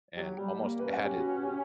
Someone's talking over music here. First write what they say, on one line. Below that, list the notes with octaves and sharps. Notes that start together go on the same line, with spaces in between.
and almost added,
F#3 G4
G3 G4
A#3
C#4 B4
G4
F#4
G4